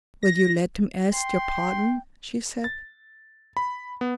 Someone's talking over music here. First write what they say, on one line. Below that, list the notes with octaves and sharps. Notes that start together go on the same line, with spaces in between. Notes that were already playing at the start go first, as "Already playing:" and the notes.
"Will you let him ask your pardon?" she said.
A#6
G5 C6
A6
B5
B3